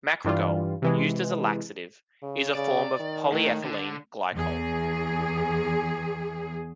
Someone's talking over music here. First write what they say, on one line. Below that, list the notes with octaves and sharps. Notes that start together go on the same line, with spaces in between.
Macrogol, used as a laxative, is a form of polyethylene glycol.
G2 E3 G3 F4
C3 E3 G#3
C#3
C#3 D5
D#3
A2 A3
D3
E2 G#4